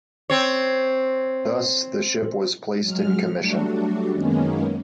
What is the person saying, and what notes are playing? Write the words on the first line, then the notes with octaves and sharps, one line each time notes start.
Thus, the ship was placed in commission.
C4 C#5
F#3 G#3 F6
F#3 G3 A3 D4 F#4
F#2 D#3 G#3 A#3 B3 C#4